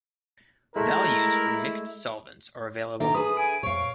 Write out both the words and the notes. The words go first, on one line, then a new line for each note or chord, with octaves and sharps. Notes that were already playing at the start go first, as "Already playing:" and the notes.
Values for mixed solvents are available.
G#3 A3 E4 A#4
D#3 A#3 D4 A4 D5 E5 A#5
G#4 B4 D#6
G#5 D7
F2 A#2 C#5 F5 C#6